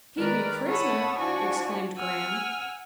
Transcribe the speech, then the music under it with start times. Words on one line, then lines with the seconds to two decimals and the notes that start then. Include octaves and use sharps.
"Keep me prisoner!" exclaimed Graham.
0.16 D#3 G#3 A#4 B4 D5
0.67 C#5 F#5 A5 B5 D#6 E6
1.17 F3 D4 E4 F#4 G#5 C#6
1.96 F#5 G#5 E6 F6